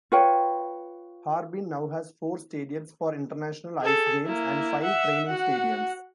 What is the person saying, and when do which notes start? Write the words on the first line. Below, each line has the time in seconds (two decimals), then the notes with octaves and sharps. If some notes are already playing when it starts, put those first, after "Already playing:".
Harbin now has four stadiums for international ice games and five training stadiums.
0.12 F4 B4 C#5 G5
3.81 G#4 A4
4.26 A#3 E4
4.83 E5 F#5
5.27 F#4 F#5